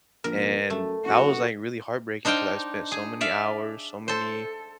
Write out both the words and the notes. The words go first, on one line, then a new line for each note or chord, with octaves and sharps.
And that was, like, really heartbreaking 'cause I spent so many hours, so many
A#1 A#4
F#2 A3
F#1 F#4
D4 D#4 C5 F5 G5
G#4
D5 E5 F5
A4 C5